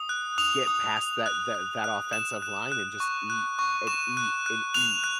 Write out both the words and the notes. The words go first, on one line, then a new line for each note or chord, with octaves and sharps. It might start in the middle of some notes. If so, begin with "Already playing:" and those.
get past that that that offensive line and just eat and eat and eat.
Already playing: D#6
F#6
D#6 F7
D#6
D#6
F#6
F#6
F#6
F#6 E7
F#6
F#6
C#6
F#6
C#6
C#6 E7
F#6
F#6
F#6 F7
F#6